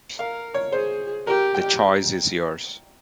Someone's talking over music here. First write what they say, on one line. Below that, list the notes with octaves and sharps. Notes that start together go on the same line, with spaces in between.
The choice is yours.
A#4 F5
C#5
G#4 C5
G4 A#4
G5